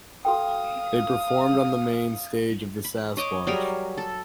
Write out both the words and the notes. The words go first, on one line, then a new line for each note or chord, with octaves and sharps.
They performed on the Main Stage of the Sasquatch!
F#4 A4 F5 G5 D#6
B5
C#5 D#5 D6
F#3 G3 G#4 A#4
A4